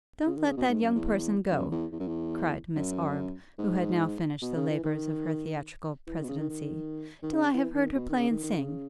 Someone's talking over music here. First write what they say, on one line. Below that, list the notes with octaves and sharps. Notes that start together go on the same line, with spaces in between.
'Don't let that young person go,' cried Miss Arbe, who had now finished the labours of her theatrical presidency, 'till I have heard her play and sing.
C#3
D#3
C#3
B2
G#2
F#2
E2
F#2
E2
E2
F#2
E2
F#2
G#2
B2
C#3
E3
D#3
E3
D#3
B2
C#3
D#3
D#3
D#3
C#3
E3
D#3
B2
D#3
C#3
D#3
D#3
C#3